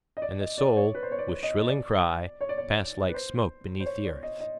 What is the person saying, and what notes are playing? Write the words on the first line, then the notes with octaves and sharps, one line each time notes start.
'And the soul, with shrilling cry, passed like smoke beneath the earth.'
D#5
D5
D#5
D5
C#5
B4
C5
C#5
D5
D#5
D5
C#5
D5
C#5
B4
C5
C5
C#5
D5
D#5
D#5